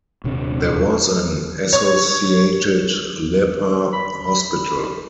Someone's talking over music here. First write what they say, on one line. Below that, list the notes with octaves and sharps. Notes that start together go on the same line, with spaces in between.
There was an associated leper hospital.
D#1 C3 D4
C#5
B5